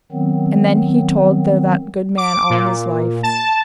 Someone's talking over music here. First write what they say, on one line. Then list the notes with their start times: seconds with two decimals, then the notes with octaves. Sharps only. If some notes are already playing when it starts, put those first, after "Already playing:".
And then he told there that good man all his life.
0.12 D#3 F#3 B3 C4
2.17 D6
2.50 A#2
3.23 A5